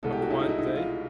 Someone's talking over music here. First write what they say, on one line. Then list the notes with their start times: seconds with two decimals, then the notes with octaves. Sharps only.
A quiet day.
0.03 C2 B2 G#3 A4
0.12 G4
0.22 F#4
0.30 E4
0.39 D#4
0.49 E4
0.58 D#4
0.67 E4
0.76 F4